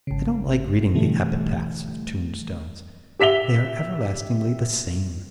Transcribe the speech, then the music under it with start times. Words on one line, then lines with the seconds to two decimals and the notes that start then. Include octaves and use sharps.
I don't like reading the epitaphs of tombstones: they are everlastingly the same.
0.07 G#1 C#3
0.94 B2 D3 E3 G3 A3
3.19 G4 E5 B6 F7 G7